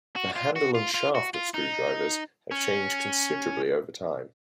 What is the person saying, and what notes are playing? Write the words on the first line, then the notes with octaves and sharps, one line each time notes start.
The handle and shaft of screwdrivers have changed considerably over time.
F#4
F4
F#4
F4
F4
F#4
F4
D#4
C#4